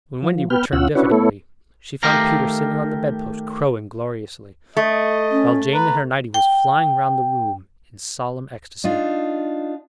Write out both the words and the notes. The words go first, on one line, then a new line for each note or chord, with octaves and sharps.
When Wendy returned diffidently she found Peter sitting on the bed-post crowing gloriously, while Jane in her nighty was flying round the room in solemn ecstasy.
F3
B3 B4 G5 F6
D2 C#4 F4 F#5 E6
C#4 D4 E4 F#4 B4 C#5
A3 B3 E4 A4 C#5
D#3 A3 G4 F5 A#5
A3 D#5
C#4
B4 A#5
G5
D4 D#4 F4